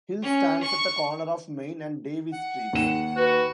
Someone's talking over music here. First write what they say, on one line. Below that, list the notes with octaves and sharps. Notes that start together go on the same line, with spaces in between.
Hill stands at the corner of Main and Davis streets.
C#4
C#6
F#5
D#2 E7
F#4 B4